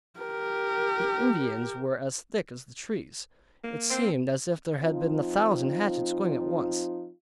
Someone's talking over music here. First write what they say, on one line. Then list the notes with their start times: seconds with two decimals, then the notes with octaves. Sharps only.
The Indians were as thick as the trees: it seemed as if there had been a thousand hatchets going at once.
0.19 G4 A#4
3.64 A#3
3.89 C4
4.81 F3 C4 D#4 F4